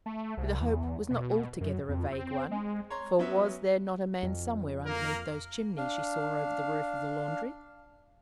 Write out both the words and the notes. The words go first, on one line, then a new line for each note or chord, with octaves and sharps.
But the hope was not altogether a vague one; for was there not a man somewhere underneath those chimneys she saw over the roof of the laundry?
A3
C2
E2
B2
F#2
F2
C4
G#3
C#5 A#5 C6
F#3 B3 C#4 E5
F2
A#3 A#4
D4 F5